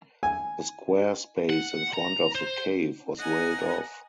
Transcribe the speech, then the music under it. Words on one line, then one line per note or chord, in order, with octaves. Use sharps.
A square space in front of the cave was railed off.
G#5
F#5
A#5
C5
D#5 F#5 G#5 A#5